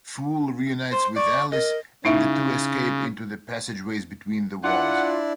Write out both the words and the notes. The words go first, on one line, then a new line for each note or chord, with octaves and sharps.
Fool reunites with Alice and the two escape into the passageways between the walls.
C5 C6
D5 C#6
A#4 D#5
C#3 D#4 E4 E5
D4 E4 F4 D5 F#5